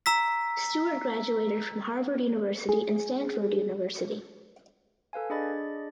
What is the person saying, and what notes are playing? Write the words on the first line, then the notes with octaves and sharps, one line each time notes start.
Stewart graduated from Harvard University and Stanford University.
A#5 E6 B6
G#4
A4 B4 F5 G#5
D4 G#4 D5 D#5 B5 A6